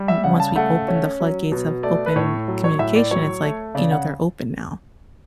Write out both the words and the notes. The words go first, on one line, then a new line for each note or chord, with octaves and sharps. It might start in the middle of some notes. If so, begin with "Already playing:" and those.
n once we open the floodgates of open communication, it's like, you know, they're open now,
Already playing: G3
E5
C#3 F#5
A5
A3 F#5
C#4
F#3
B2
A3 D5
B4
A2 C#5
F#3
C#5
A2 E5
D5
F#3 C#5
A3
C#3 D5
F#5